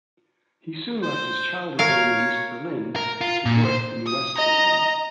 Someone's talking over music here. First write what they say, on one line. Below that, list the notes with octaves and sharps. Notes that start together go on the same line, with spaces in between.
He soon left his childhood home in East Berlin to work in West Berlin.
C5
A#4 C#5 F5
A#4
F4
A#2
C5
D#6
D#5 A#5